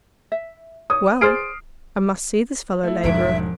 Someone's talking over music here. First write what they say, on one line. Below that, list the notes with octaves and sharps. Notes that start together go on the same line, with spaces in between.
Well, I must see this fellow-laborer.
E5
C#5 D#6
G#4 C5 D5 F6 C7 D7
A3 E4
E1 G#2 D3 F3 E5 D7